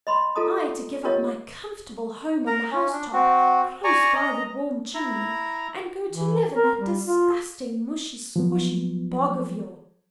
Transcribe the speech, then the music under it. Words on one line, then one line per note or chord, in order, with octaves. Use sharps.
I to give up my comfortable home on the house-top, close by the warm chimney, and go to live in that disgusting mushy-squshy bog of yours!
D#5 B5 C6
F4 A4 D#5 A5 A#5 D#6
F4 G4 A#4 C#5 D#5
A#4 A#5
C#4
D4
C4 F#4
D5 G#5 A#5 C#6
D#5 A#5
E4 A#5
E3
A#4
G3
F4
F3 F#3 B3